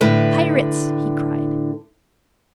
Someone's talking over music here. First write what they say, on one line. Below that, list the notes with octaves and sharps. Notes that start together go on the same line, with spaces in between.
"Pirates!" he cried.
A2 D3 B4